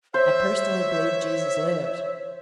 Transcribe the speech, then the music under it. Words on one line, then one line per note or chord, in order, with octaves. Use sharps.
I personally believe Jesus lived.
C5 C#5 E5